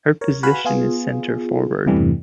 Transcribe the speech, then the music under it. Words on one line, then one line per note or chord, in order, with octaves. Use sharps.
Her position is center forward.
A#4 C#5
F#4 B4 F5 G#5 B5
B3 F4 G#4
E2 G2 C3 E3 G3 A3